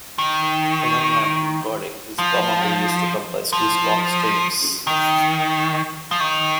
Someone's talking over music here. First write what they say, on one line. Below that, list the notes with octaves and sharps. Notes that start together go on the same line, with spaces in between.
Run-length encoding is commonly used to compress these long streams.
D#3
F3
F3
D#3
F3
D#3